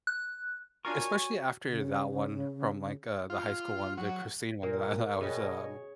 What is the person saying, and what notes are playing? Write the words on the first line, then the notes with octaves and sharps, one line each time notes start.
especially after that one from like, uh, the high school one, the Christine one that I I was, um,
F#6
D4 F4 F#4 A#4 C#5 G#5 C#6
C#3
F4
F#3
A#2 A#4
B2 G3 G#4 C#5 D#5